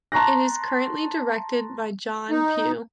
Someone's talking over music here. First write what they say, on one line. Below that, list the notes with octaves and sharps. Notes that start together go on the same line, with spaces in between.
It is currently directed by John Pew.
A5 A#5 C6 C#6 F#6 A#6
D#4